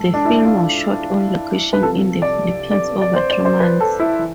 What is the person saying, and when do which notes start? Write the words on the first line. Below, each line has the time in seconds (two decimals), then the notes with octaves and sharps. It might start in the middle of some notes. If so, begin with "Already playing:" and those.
The film was shot on location in the Philippines over three months.
Already playing: G#2 E3 A4
0.14 D4
0.25 E4
0.44 F4
1.73 B4
1.82 C2 C3 F3 A4
2.22 D5
2.71 D5
3.01 D5
3.16 C5
3.30 D5
3.45 C5
3.60 B4
3.80 A4
4.00 E4
4.19 E3